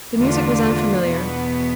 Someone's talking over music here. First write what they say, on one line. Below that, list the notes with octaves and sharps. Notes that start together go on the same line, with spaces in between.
The music was unfamiliar.
E2 D3 A3 D4 F4
E2 B2 B3